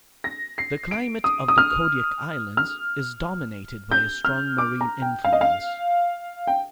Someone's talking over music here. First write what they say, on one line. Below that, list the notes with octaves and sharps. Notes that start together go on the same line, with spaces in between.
The climate of the Kodiak Islands is dominated by a strong marine influence.
A#6
C7
D7
D#6
D#6
F6
F6
G6
F6
D6
A#5
G5
F5
D#5
F5
G5